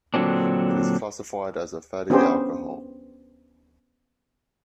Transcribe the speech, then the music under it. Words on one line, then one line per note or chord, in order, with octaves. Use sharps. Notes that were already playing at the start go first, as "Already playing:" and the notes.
It is classified as a fatty alcohol.
A#2 D3 F3 F#3 C4 D4
B3 C#4 D4 G4 G#4 C5